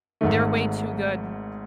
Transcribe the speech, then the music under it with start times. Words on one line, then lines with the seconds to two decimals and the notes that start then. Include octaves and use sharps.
They're way too good.
0.21 G#1 G#2 D#3 A3